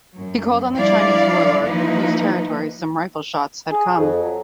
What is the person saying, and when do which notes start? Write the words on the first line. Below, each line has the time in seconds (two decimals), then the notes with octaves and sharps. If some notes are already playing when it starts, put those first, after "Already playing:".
He called on the Chinese warlord from whose territory some rifle shots had come.
0.16 F#2
0.76 F3 G3 D4 E4 D5 F5
1.65 E3 F3 A#3 D#4 E4 B4
3.71 G#4
3.98 F2
4.23 F#3